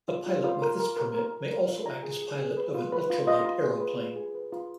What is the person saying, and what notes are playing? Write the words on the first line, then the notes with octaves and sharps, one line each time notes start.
A pilot with this permit may also act as pilot of an ultra-light aeroplane.
F4
F4
F4
A#4
A#4
A#4
A#4
A#4
A#4
F4
F4 A#5
G#4
G#4
G#4
B4
F4
B4
F4
F4 D#5
F4
G#4
B4
F4
G#4
B4
F4